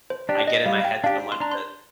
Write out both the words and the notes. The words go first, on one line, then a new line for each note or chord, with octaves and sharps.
I get in my head so much that
C5
D4 G4 D5
D#5
G3 F5
F5
G5
D4 G4 F5
C6
D4 A#5
C6